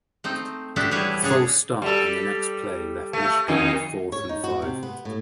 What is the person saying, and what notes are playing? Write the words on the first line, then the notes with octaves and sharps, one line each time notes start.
A false start on the next play left Michigan with fourth and five.
A3 C4 D#4
A3 B3 D4 F#4 G4 E5
E3 G3 E4 G#4 B4 C#5
C#3 C#4 D4 G#4 C#5
G3 A4
A3
F2 D#3 D#4
C#5
D#4
F#4
C3
B3
A2